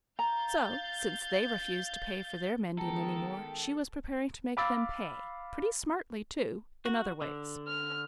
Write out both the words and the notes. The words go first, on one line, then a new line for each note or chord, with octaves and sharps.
So, since they refused to pay for their mending any more she was preparing to make them pay, pretty smartly too, in other ways.
F5 A#5 G6 A6
D#3 G#3 B3 A4 G5 A#5
F5 B5 D6 E6 A6
F#4
D3
F6